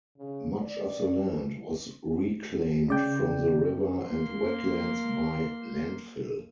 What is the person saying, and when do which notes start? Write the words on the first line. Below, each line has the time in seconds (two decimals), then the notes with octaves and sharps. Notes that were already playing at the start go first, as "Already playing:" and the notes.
Much of the land was reclaimed from the river and wetlands by landfill.
0.18 C#3
0.60 D5
2.88 C#3 D5 G5
4.06 A#3 C6